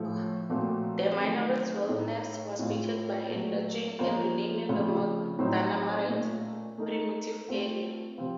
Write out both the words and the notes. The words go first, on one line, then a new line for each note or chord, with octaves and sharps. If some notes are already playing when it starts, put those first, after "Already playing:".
The Minarets Wilderness was created by enlarging and renaming the Mount Dana-Minarets Primitive Area.
Already playing: A2 F3 A3
A#2 F3 A3 C4 F#4
D#3 F#3 A3 C4
A2 A3 D#4 A4 C#5
A2 A3 C4 F4
A#2 F#3 A3
F3 A#3 C#4 F4 C5
C#3 F3 A3 C4 F4
A2 F#3 C4 D#4
A#2 A3 C#4 A4
A3 D#4 A#4
A3 C4 F4 C5
C3 F3 C4 F4